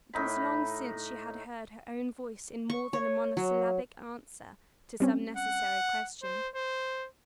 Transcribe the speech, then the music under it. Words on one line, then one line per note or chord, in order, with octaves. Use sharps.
It was long since she had heard her own voice in more than a monosyllabic answer to some necessary question.
A2 D#4 B5
C#6
C#5
F#3
G3 C4 C#4
F#5
C5
C5